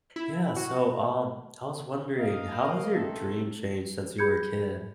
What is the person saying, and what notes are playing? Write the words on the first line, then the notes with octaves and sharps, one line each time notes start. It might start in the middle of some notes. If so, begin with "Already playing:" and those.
Yeah, so, um, I was wondering, how has your dream changed since you were a kid?
E4
F#4
A#3 A#4 D#5 F5
A1 C3 A3 C4 A4
G4 G#4 B5 G6 G#6 C#7